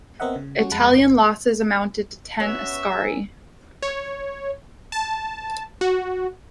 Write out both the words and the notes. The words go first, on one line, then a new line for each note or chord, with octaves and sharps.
Italian losses amounted to ten askari.
B3 C4 A#4 D#5 E5 F#5
C#3
G3 C#4 F#4
F2 G#3 F#5 A5 B5 A#6
G1
B2 B3 C#4 F#4 C#5 E5
G#4 A#4 G#5
C#5
A5
F#4